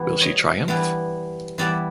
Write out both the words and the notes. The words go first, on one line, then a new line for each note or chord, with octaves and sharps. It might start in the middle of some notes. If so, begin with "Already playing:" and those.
Will she triumph?
Already playing: E3 G3 B3 E4
C#5 D#5
E3 G3 B3 E4
E3 G3 B3 E4 D5 E5